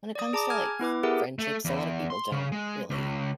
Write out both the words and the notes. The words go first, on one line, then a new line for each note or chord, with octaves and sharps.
when it comes to, like, f friendships, a lotta people don't really
D5 D#6
G#4 A5 A#5 D6
G#5 F6 G#6
B3 E4 B4 D6
G4 G#4 A#4 E5 F#5
A3
E2
C6
C#3
G#3
C#2